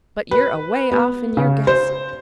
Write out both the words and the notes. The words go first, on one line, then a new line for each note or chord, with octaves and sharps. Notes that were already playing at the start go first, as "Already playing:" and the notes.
But you're away off in your guess.
B4
B3
C#3
C5